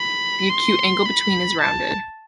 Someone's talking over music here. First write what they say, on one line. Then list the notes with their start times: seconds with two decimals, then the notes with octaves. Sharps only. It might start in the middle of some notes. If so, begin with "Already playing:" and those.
The acute angle between is rounded.
Already playing: B5
0.49 C6
1.06 B5
1.61 A5